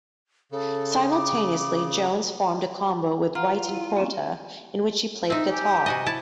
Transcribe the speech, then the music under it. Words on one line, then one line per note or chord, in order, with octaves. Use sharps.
Simultaneously, Jones formed a combo with White and Porter, in which he played guitar.
C#3 A4
D6
F4 F#5 A#5 F6
E4
A#3 C4 C#4
C4 D#4 E5
G4 G#5
C3 F#4 D#5
E4 A5